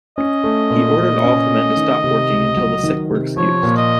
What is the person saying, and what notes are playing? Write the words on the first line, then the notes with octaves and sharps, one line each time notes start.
He ordered all of the men to stop working until the sick were excused.
C#4 D#5
A3
A#2
A#2
C#4
A3
D#3
C3
C#2
F#3
D#3
C3
F3 C#5
A#2
D#5